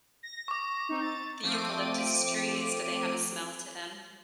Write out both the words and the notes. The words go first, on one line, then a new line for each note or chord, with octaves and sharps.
The eucalyptus trees, do they have a smell to them?
A#6
C#6 D6
C4 D#4
A6
F3 A3 C4 D6 D#7